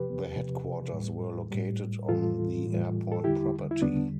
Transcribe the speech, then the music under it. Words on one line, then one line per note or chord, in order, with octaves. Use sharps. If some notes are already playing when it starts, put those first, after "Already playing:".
The headquarters were located on the airport property.
Already playing: E2 C3 F3 G4 B4
E2 C3 F3
A2 G3
A2 G3
A2 E3 G3 F4 A4
A2 E3 G3
A4
E2 D3 G3 E4 G4
E4
E2 D3 G3 B3 D4